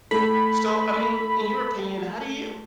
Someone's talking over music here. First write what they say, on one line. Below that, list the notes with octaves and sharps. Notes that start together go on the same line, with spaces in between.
So, I mean, in your opinion, how do you
A3 B5